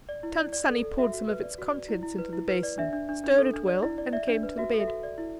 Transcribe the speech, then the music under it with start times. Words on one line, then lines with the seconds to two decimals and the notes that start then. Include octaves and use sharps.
Tant Sannie poured some of its contents into the basin, stirred it well, and came to the bed.
0.09 D5
0.23 E4
0.39 D5
0.53 D5
0.69 A4
0.83 A4
0.98 F#4 E5
1.14 F#4
1.28 B4
1.43 D5
1.58 F#4
1.73 D5
1.89 E4
2.03 E4
2.18 B4
2.33 E4
2.48 B4
2.63 D5
2.78 D4 E5
2.93 D4
3.09 D4
3.24 D4
3.38 A4
3.54 D4
3.68 D5
3.83 E4
3.98 D5
4.13 D5 E5
4.28 D4
4.43 B4
4.58 F#4 E5
4.74 A4
4.80 E5
4.88 F#4
5.03 D5
5.18 E4